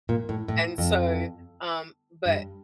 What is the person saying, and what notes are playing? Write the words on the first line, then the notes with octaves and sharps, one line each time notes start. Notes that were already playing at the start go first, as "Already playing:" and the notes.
And so, um but
A#2
A2
A2
F2
G2